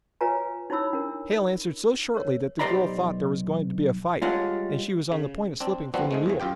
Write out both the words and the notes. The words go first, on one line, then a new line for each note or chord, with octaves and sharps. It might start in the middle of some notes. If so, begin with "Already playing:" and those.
Hale answered so shortly that the girl thought there was going to be a fight, and she was on the point of slipping from the mule.
F4 B4 C#5 G#5 A#5
D#4 E4 C#5 B5 E6
D4 A#4
A#4 C#5
B1 G4 C5 D5 A#5 B5
G3 G#3 D4 F4 C#5 F#5
C#3
C4 D4
F3 G3 B3 C4 D4 F#4
G#2 G#3 A3
E2 E3
F#2 F4 G4 G5